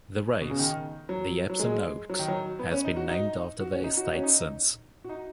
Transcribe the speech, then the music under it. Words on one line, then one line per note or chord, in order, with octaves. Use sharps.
The race, the Epsom Oaks, has been named after the estate since.
B2
C#3
D#3
F#3
F#3
G#3
F#3
D#3
F#3
B3
C#4
D#4
F#4
D#4
F#4
C#4
D#4
F#4
D#4
C#4
D#4
F#4
D#4